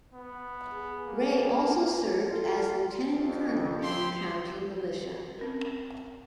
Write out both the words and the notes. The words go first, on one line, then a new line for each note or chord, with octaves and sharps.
Ray also served as lieutenant-colonel in the county militia.
B3
G#4
A#3
F4 A4
F2
E4 G4 C6
C4 C#4 A#4